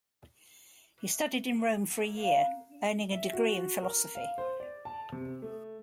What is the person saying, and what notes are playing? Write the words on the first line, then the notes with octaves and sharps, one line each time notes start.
He studied in Rome for a year, earning a degree in philosophy.
E3
G#4 B4
D3 E4 A#4 G#5
A#3 D#4 F#4 F5
E5
F#4
A#4
F5
C5
D5
A5
C3
A3